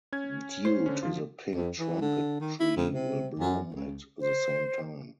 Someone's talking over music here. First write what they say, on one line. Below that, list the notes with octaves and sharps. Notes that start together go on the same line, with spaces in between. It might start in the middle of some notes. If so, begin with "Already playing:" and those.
Due to the pink trumpet tree will bloom at the same time.
C#4 G#6
C5
D3 C#4
F3 F4
F2
E3
D3
D#3
E4
F2
C3
F#2
C#2
C5